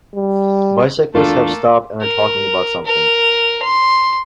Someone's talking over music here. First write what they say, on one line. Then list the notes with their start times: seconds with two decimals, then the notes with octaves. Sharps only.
Bicyclists have stopped and are talking about something.
0.16 G3
1.15 E2 A3 A#3 D4 F4 A4
2.01 A#4
2.86 A#4
3.63 C6